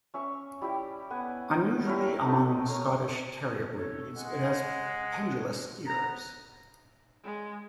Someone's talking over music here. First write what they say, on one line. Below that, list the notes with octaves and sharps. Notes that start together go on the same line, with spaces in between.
Unusually among Scottish terrier breeds, it has pendulous ears.
C#4 E5 C#6
G3 E4 G4
B3 B4 F#5 G#5
E4 G4 A#4 C#5
A3 B3 D#4 A4
A#4 C#5 A#5 C6
A4 C#5
G#3 F#5
B3 A#5
G#3